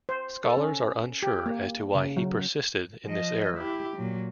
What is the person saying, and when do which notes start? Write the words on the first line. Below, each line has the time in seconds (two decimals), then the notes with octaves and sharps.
Scholars are unsure as to why he persisted in this error.
0.09 C5
0.44 A4
0.57 C#4
1.23 G4
1.46 A#3
1.95 C#3
2.17 F#3
3.05 F3 D#5
3.57 E4 G4
3.97 A#2 F#3